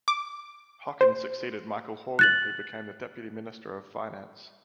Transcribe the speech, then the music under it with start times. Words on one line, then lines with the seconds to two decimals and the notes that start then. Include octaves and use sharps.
Hockin succeeded Michael Horgan who became the Deputy Minister of Finance.
0.08 D6
1.01 C5
2.19 F#6 A6 F#7